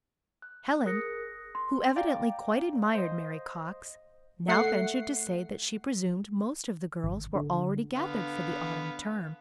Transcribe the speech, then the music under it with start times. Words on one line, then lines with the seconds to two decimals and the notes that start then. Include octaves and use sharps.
Helen, who evidently quite admired Mary Cox, now ventured to say that she presumed most of the girls were already gathered for the Autumn term.
0.42 F#6
0.85 G#4 A#4 D#6 F#6 A#6 C#7
1.55 C6
1.96 D5 F5 G5 A#5
2.95 C5 D#5
4.49 A3 F#5 C7
7.04 G#1
7.35 D3
7.96 D3 B3 F5